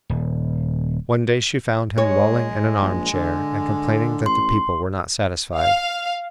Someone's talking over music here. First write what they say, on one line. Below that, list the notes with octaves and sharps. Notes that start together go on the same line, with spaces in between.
One day she found him lolling in an arm-chair and complaining that the people were not satisfied.
D#1
G#3 C#5
A#1
D3
A1 C6
F5